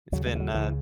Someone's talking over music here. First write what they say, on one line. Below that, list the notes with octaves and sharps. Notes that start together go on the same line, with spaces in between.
It's been, uh
D#2 C#3 F#3
G#3
E3
F#3
C#2 C#3 E3